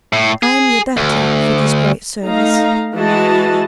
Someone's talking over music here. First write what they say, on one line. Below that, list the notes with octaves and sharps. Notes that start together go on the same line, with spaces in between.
'I am your debtor for this great service.'
A2
G#4
D2
A3 D#4 F5 A#5
E3 G#3 F#4 D#5 A5